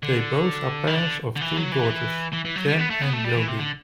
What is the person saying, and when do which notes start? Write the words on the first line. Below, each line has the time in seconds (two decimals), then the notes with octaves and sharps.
They both are parents of two daughters, Jan and Jodi.
0.03 D3
0.87 E3
0.96 D3
1.36 D3
1.41 E3
1.57 F#3
1.72 E3
2.33 E3
2.45 E3
2.56 F#3
2.68 G3
2.79 B3
2.90 A3
3.02 B3
3.13 A3
3.25 G3
3.36 E3
3.48 C3
3.59 D3